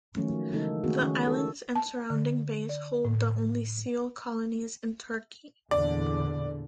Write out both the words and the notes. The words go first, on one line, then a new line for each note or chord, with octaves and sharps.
The islands and surrounding bays hold the only seal colonies in Turkey.
D#3 F3 F#3 A3 A#3 C#4
C#3 E3 G#3 A#3 D#4 A4
D#3 A3 D#4 F#4 G#4
D#3 F3 C#4
A#3 A4
A5
D3
D5
A2
E2 A#2 D3 D5